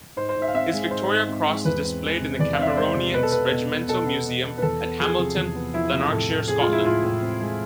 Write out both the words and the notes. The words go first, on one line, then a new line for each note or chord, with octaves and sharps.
His Victoria Cross is displayed in the Cameronians Regimental Museum at Hamilton, Lanarkshire, Scotland.
G#2 C5
C5
G#2
E5
F5
C4 E5
G#3
G#2 C5
G#2
C4
G#3
E2 B4
C4
G#3
C3
E2 D5
F5
C4 E5
D5
G#3 C5
C3
B2 B4
A4
B3 B4
B2
B3
B2 A4
B3
B2
B3
B4
E2 A4
B3
F3 G#4
C3
E2
B3
F3 E4
C3
A2 A4
A2
C4 G#4
F4
G#3
E4
A2 F4
A2
C4
G#3